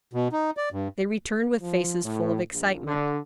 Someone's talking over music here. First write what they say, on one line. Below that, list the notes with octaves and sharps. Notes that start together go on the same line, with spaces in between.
They returned with faces full of excitement.
B2
D#4
D5
G2
F3
A2
A#1
D3